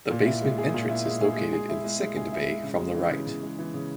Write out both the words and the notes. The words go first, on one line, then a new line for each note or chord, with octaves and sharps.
The basement entrance is located in the second bay from the right.
A#2
E4
G#3
G#4
A#2
E4
G#3
G#4
G#3
G#4
E4
G#3
G#3
G#4
E4
G#3
C#3
G#3
E3
C#3
C#3
G#3
E3
C#3